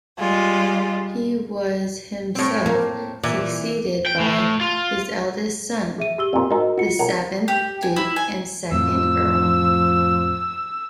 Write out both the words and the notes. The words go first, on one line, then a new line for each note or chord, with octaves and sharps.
He was himself succeeded by his eldest son, the seventh Duke and second Earl.
G3 G#3 F4
A2 C4
A#3
A#2 E3
G5
A2
F4
G#4 E5 D#7
G4 E6 G7
F2 A#2
G#2 D#4 F#4 A#4 D#5
F4 F#4 C#7
B1 A#4 F#5
G4
G#5
E4
G#5
F2 A2 F3 E6